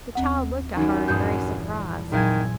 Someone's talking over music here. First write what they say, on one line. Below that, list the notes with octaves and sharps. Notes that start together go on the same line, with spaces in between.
The child looked at her in grave surprise.
D#2 C4 F#5
F#2 E3 G3 D#4
A#1 E2 G2 D#6 G6
A#2 D#3 F#3 C4 E4 G#5